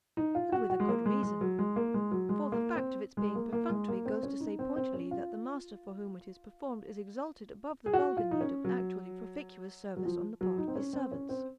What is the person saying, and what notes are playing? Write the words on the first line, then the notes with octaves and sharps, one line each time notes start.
And with a good reason, for the fact of its being perfunctory goes to say pointedly that the master for whom it is performed is exalted above the vulgar need of actually proficuous service on the part of his servants.
D#4
F4
F#4
F#4
G#3
A#3
G#3
G#3
F#3
G#3
A#3
G#3
F#3
G#3
A#3
C4
G#3
A#3
A#3
G#3
A#3
C4
C#4
D#4
C4
C4
C#4
F4
G#4
F#4
F4
D#4
C#4
F#3
F#3
F3
F#3
D#4
C4
C#4
C4
C#4
C4